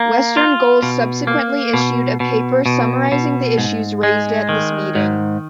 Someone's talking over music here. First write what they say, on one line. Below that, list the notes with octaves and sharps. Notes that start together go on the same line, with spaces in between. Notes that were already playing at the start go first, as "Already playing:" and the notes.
Western Goals subsequently issued a paper summarising the issues raised at this meeting.
Already playing: A#3
F4
B2
A#3
B2
B2
B2
B2
G#2
G#3
D#3
G#2